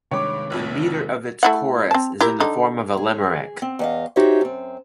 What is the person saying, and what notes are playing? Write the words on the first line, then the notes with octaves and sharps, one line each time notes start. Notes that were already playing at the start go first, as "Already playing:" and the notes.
The meter of its chorus is in the form of a Limerick.
G2 C3 D#3 G#3 C#5 D6
F1 A#1 F2
A3 E4 F#5
C4 A5
E4 G4 A#4
D3 D#4
G#4
C4
E2 D#5 F5
D#4 F#4 G4 C5 C#5 E5
F#2 C4